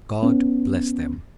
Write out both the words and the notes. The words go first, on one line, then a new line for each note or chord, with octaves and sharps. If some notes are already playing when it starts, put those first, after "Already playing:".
God bless them!
B3 C#4